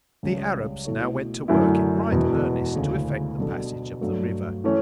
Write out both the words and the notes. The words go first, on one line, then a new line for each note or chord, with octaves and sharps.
The Arabs now went to work in right earnest to effect the passage of the river.
C#2 C#3 G3 C#4
B2 A3 E4 A4 C#5
F#2 D3 A3 E4
E1 E2 B2
D2 C#3 E3
B2 G3 D4 A4
G2 F#3 A3
E3 A3 C#4